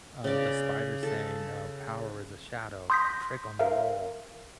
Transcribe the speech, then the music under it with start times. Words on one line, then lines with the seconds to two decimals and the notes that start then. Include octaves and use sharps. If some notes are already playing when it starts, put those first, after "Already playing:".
um, the Spider saying, uh, "Power is a shadow, a trick on the wall."
0.24 C#3 D5
1.03 A4
2.90 C6 D#6 G6 A#6 B6
3.59 A#4 E5 F5